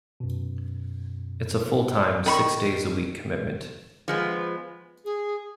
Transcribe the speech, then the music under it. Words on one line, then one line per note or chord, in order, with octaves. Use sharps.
It is a full-time, six- days-a-week commitment.
F#2 B2
D#3 B5 C#6
F3 G#3 B3
G#4